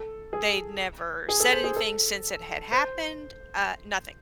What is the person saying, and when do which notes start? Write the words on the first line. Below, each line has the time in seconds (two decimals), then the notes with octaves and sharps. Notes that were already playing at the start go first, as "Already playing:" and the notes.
they'd never said anything since it had happened, uh, nothing.
Already playing: A4
0.33 G#4
1.29 G#4
1.40 A4
1.52 C5
1.64 G#4
1.76 A4
2.72 C5